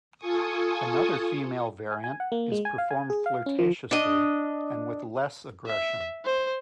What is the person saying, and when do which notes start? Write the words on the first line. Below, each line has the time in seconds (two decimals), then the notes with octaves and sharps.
Another female variant is performed flirtatiously and with less aggression.
0.18 F4 A4 G#5 C#6 D#6
1.92 G#5
2.04 G#5
2.20 F#5
2.32 A#3
2.52 G#3
2.65 G#5
2.78 F5
2.91 G#5
3.10 G#4
3.26 F5
3.46 C#4
3.59 F3
3.91 D4 D#5
5.66 E5
6.25 C5